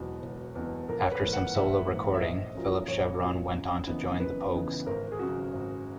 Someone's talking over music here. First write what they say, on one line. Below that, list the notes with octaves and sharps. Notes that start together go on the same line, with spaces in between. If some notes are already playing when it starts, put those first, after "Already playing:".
After some solo recording, Philip Chevron went on to join The Pogues.
Already playing: E1 E2 B2 F#3 B3 F#4
E1
E2 B2 F#3 B3
A#1 A#4
C#5
B4
G#2 E3 A#3
F#5
A#1 E5
G#2 E3 A#3
E5
A#1 D#5
A#2 F#3 C#4
A#1 C#5
A#2 F#3 C#4
F#2
C#3 E3 B3 D#4
F#2 B4
C#3 E3 B3 D#4
G#1 A#4
G#4
F#2 C#3 F#4
G#1